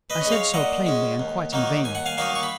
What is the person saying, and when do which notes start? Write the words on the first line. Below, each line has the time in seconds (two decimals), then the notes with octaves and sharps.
I said so plainly--and quite in vain.
0.10 B4 D#5
0.21 G#3 C#4 D#5
0.32 C#5 F5
0.54 A#2 D#5 F#5
0.86 G#3 C#4
1.20 D#2
1.52 D#3 F#3 A#3 D#4
1.84 D#2 G#5
1.95 F#5
2.06 F5 G#5
2.17 D#3 F#3 A#3 D#4 F5 G#5
2.35 C#6
2.43 B5